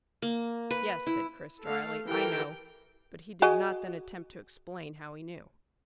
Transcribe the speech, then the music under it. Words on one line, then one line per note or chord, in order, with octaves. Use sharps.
"Yes," said Chris dryly, "I know;" but he did not then attempt to explain how he knew.
A#3
B4
E4
A3 A4 F5
E3 G4 A4 A#4 G5
F#4 G#4 D#5